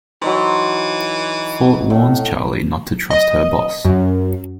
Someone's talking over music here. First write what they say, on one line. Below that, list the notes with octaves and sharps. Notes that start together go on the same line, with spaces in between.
Fort warns Charley not to trust her boss.
E3 F#3 D#4 C5
A2
D#5
F#2